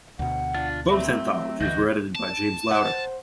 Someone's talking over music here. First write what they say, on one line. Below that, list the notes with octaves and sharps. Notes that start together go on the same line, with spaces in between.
Both anthologies were edited by James Lowder.
D2 B2 F#5
D4 F4
F#3 A3 C4 E5
D2 E3 F#4 D#5 G6
A5
C5 F#5